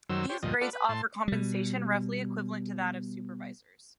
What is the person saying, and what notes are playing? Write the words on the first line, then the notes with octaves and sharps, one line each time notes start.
These grades offer compensation roughly equivalent to that of supervisors.
F#2 D#3 F#3 C5 E6
G4 C5 C#5
D2 G2 A#2 F3 D#5
F4 A4 B4 D5 F#5
B4
A2 A5 C6
B2 G3